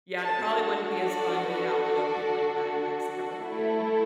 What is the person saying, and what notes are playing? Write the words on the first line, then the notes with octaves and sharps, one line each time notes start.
Yeah, and it probably wouldn't be as fun being out in the open like that in Mexico with a kid.
D4 F#4 A4 A5
D5
B4
D5
A3 E4 A4